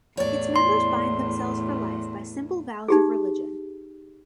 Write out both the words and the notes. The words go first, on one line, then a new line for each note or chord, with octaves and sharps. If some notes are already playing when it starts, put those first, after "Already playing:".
Its members bind themselves for life by simple vows of religion.
E2 A2 C#5 D5
C6
D#4 G4 G#4